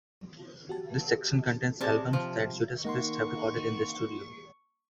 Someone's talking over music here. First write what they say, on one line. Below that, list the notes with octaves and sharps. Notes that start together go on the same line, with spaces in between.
This section contains albums that Judas Priest have recorded in the studio.
F#4 G4 A5
C3 C4 G4 G#4 D5 A5
C3 F3
D#3 A#3 D#4 F#5 C6 C#6